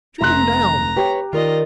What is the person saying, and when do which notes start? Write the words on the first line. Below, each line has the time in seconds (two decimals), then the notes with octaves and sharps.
"Shoot 'em down!"
0.21 F1 E5 A#5 C6 F#6
0.97 G4 B4 C#5
1.33 D#3 F4 A#4 D5 D#5